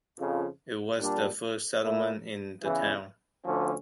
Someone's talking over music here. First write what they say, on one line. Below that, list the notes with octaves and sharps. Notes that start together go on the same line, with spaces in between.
It was the first settlement in the town.
F2 C#3 F3
A#2 G3 D4
A#2 A3 E4
E2 C#3 E3
D2 D3 F3 C#4